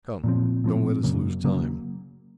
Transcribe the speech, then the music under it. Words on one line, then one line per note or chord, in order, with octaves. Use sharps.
Come, don't let us lose time.
A#2 F3 C4
A#2 F3 C4
F#2 C#3 F#3 A#3
C#3 F#3 A#3